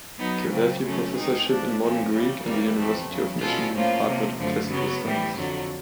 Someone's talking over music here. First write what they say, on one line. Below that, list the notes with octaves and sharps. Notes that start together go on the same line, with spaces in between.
Cavafy Professorship in Modern Greek and the University of Michigan Department of Classical Studies.
F#3 B3 D#4
F2 C#3 F#3
F#2 C#3 F#3 A3 C#4
D#3 G#3 C4 D#4 G#4
F3 A3 D4
A#2 F3 A3 C#4
C#3 E3 G3
E2 C#3 E3 G3 A#3
F2 C3 E3 A3
E2 C#3 F#3
B2 G#3 C#4 F4 A4
A2 F3 A#3 C#4 F4
C3 F3 A#3
F#2 D3 F3 A3
C#3 F#3 B3
A2 E3 G3
F2 D3 F#3